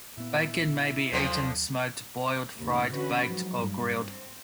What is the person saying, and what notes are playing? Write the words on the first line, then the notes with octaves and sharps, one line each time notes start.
Bacon may be eaten smoked, boiled, fried, baked, or grilled.
A#2 B3 E4
D#2 A2 D3 F3 F#3 C5
D#2 G#2 C#3
D3 E3 C#4 F#4 B4
G#2 F3 F#3
G2
C4